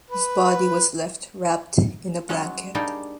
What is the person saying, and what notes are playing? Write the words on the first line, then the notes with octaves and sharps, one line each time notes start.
His body was left wrapped in a blanket.
B4
F#3 G#3 C#4 F#5
G3 A#3 D4 D#4 G#4 G5